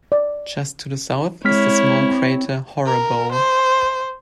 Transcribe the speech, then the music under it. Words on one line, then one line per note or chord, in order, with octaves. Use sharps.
Just to the south is the small crater Horrebow.
D5
G#3 C4 E4 C#5 F6 B6
A#4
C5